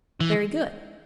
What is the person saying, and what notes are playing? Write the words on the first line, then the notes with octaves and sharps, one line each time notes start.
Very good.
E3